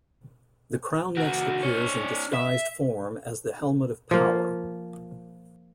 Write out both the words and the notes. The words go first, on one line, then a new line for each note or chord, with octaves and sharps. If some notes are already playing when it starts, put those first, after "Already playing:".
The Crown next appears in disguised form as the "Helmet of Power".
C#2 F#4
D4 C#5
E5
F3 A#3